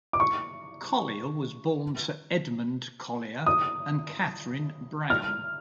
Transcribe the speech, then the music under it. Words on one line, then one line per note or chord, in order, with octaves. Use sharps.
Collier was born to Edmund Collier and Katherine Brown.
D6
C#6
D#6
F6